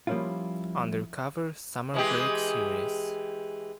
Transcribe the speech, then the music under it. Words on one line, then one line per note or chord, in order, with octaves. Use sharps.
Undercover: Summer Break series.
F3 G3 A#3 C#4 E4 F4
E3 G#3 G4